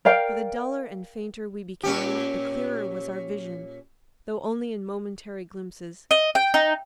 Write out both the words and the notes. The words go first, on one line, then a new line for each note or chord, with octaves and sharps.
For the duller and fainter we became the clearer was our vision, though only in momentary glimpses.
A#4 D5 F5 G5
A#2 C#4 G4
D#5
G5
D#4